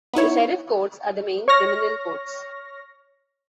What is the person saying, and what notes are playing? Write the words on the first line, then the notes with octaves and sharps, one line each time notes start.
The sheriff courts are the main criminal courts.
B3 D#4 E4 C#5
C#5 C#6 F6 A#6